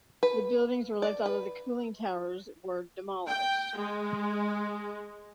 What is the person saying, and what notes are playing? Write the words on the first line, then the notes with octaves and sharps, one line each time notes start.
The buildings were left although the cooling towers were demolished.
B4
D5
B4
G5
G#3